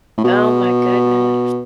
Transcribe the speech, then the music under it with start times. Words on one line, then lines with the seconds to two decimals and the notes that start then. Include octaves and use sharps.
Oh, my goodness.
0.18 A2
0.24 B2